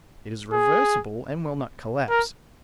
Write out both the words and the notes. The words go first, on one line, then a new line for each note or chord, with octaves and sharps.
It is reversible and will not collapse.
G#4
A#4